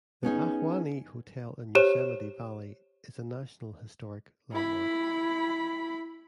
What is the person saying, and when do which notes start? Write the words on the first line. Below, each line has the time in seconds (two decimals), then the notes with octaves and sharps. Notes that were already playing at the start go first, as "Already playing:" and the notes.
The Ahwahnee Hotel, in Yosemite Valley, is a National Historic Landmark.
0.23 B3 C#4 D#4 G#4
1.75 G4 C5 C#5 E7
4.52 E4 B5